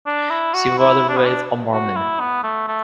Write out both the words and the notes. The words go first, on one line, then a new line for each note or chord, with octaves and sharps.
She was raised a Mormon.
D4
E4
F#4
E4
D4
B3
D4
F#4
E4
B3
A3
A3